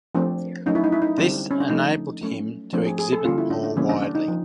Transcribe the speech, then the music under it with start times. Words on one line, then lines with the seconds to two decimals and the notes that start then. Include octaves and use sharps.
This enabled him to exhibit more widely.
0.15 F3 A3 C4 D4
0.66 F#3 A3 C#4 D#4
0.75 E4
0.84 D#4
0.92 E4
1.02 D#4
1.18 D3 G3 C4 D4
1.51 C#4
1.60 D4
1.70 F3 A3 C#4 D#4
2.21 F#3 A3 C#4
2.73 F3 A3 C4 D4
2.86 G#4
2.99 G#4
3.12 A4
3.25 D3 G3 A#3 C#4 F4
3.38 E4
3.50 D4
3.63 D4
3.76 C#3 E3 G3 A#3 C#4
3.89 D4
4.02 D4
4.15 D#4
4.28 F3